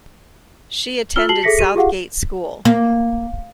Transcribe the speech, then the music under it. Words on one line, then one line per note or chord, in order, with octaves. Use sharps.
She attended Southgate School.
F4 E6 F6 G7
F#4 A5 C7 F#7 G7
G#4 A4 E5 A#6 B6 C#7
G4 D#7
F4 G4 G#4 F5 F#5
A#3